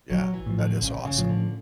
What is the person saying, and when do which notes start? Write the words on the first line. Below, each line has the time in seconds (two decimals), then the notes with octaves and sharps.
Yeah, that is awesome.
0.10 A#1 F#3
0.34 E3
0.46 A2 F3
0.58 D3
0.82 A#1 C#3
1.05 C#3
1.17 A2 F3
1.29 D3